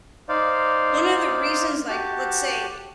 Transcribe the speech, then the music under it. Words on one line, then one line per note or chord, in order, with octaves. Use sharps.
one of the reasons, like, let's say
D#4 C5 D5 F5
F#4 G4 A5